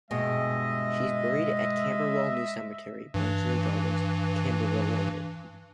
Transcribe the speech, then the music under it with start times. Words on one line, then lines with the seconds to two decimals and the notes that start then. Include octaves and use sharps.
She is buried at Camberwell New Cemetery, Brenchley Gardens, Camberwell, London.
0.11 G2 B2 G#3 G#4 D#5 E5
3.14 G2 E3